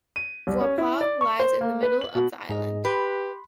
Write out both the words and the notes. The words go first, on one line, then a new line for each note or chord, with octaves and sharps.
Vaipoa lies in the middle of the island.
D#7
C2
C#4
E4
D5
C#6
C5
A#3
B4
F#7
B2
G#2 G#4 D#5
G4 B4 B5 C6